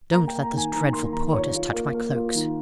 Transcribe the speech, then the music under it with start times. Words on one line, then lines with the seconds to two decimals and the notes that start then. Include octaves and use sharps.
Don't let those dreadful porters touch my cloaks.
0.12 A#3 A#5
0.28 G5
0.32 A#3
0.43 A#5
0.53 D#3 G#5
0.73 D#3 A#5
0.93 A#3 C6
1.13 D#3 A#5
1.33 F4 C#5
1.54 F4
1.73 A#3
1.94 A#3
2.15 F4
2.35 D#3